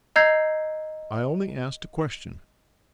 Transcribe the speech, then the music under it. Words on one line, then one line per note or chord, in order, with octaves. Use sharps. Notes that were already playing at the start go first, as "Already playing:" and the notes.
I only asked a question.
D#5 A#5 E6 G6 G#6 C7